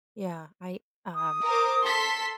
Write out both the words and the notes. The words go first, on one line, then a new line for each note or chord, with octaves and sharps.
Yeah, I, um
D#6
A#4 C5 D6
A4 C6 B6